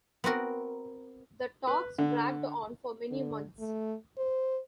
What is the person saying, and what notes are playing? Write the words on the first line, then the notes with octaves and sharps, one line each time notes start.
The talks dragged on for many months.
B3 C4 F#4 A#4
B4
D3
D3
A3
C5